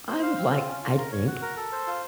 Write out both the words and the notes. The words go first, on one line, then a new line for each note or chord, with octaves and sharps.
I would like I think
C5
F5
C4
F4
C#4
F4
A#4
C#5
F#4
A#4
A4
C5
F4